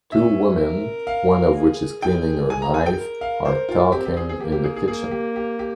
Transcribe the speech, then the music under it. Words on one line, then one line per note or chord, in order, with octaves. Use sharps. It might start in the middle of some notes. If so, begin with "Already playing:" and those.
Two woman, one of which is cleaning her knife, are talking in the kitchen.
C#4 E5
A#4
F5
G#4
G#4 G5
G#5
A#5
G#5
G5
A#4
F5
C5
F4
C4 G4
G4
G#4
G#4
A#3 G4
G4
G#4
G#4
A#3 G#4
G4
G4
G4